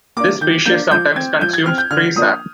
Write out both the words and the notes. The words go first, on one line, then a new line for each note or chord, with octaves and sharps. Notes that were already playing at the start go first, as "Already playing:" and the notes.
This species sometimes consumes tree sap.
A#3 D4 D6
D#3 G6
A#3 D4 G6
F3 G6
C4 G#6
F3 G6
G#6
C4 F6
G6
D3 F6
F3 A#3 D4 D#6